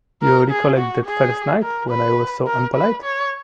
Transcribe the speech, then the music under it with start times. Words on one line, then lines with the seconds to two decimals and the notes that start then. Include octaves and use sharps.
You recollect that first night, when I was so unpolite?
0.22 A#4
0.50 G#4
0.78 F#4
1.05 G#4
1.63 A#4
1.90 B4
2.47 A#4
2.75 B4
3.04 C#5